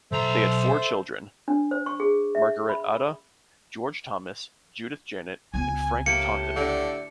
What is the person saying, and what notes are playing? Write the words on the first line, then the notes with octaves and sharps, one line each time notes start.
They had four children: Marguerite Ada, George Thomas, Judith Janet, and Frank Taunton.
B1 A4 C5 E5 A#5
D4
C5
C#6
G#4
E5
B5
C#2 B3 G#5
A2 A#3 G4 A5 C#7
D3